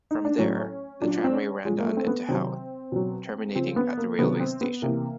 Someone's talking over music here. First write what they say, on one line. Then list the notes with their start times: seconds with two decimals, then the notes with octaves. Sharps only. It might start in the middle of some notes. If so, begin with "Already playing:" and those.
From there, the tramway ran down into Howth, terminating at the railway station.
0.11 D#4
0.25 D4
0.38 A2 F#3 C#4
1.02 A#2 F#3 D4
1.24 C4
1.34 C#4
1.65 A#2 F3 G#3
1.79 A#3
1.86 A3
1.97 C4
2.07 B3
2.28 C3 D#3 F#3 C4
2.92 B2 F#3
3.55 C#3 F3 C4
3.76 B3
3.97 A#3
4.18 C3 D#3 F#3 B3
4.40 C4
4.61 B3
4.82 C3 E3 A#3